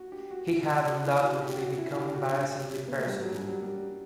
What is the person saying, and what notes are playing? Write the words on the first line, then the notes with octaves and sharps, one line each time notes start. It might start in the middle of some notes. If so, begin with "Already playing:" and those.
He had undoubtedly become embarrassingly personal.
Already playing: F#4
G4
F#4
F#4
E4
F#4
G4
F#4
E4
G4
F#4
D4
B3
A3
G3
F#3
G3
F#3
G3